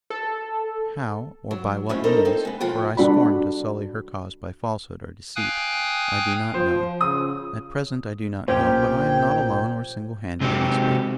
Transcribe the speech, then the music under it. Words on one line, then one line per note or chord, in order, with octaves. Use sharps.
How or by what means--for I scorn to sully her cause by falsehood or deceit--I do not know; at present I do not know, but I am not alone or single-handed in this business.
A4
F#3
F3 G#3 A3 C4 C#4 E4
D4 D#4 A4 A#4 C5 D#5
C4 D#4 A4
G#3 B3
B2 F3 F4 G#4 F#5 G5
G3 D4 F#4 D5 B5
F5 G5 G#5 D#6 F#6
F3 C5
C#3 F4 D#6
B1 A#2 C#4 G4 C5 G5
C3 G#3 C4 D#4 F#4 G4